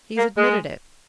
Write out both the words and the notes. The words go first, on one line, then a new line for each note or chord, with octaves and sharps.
He's admitted it.
A#3
G#3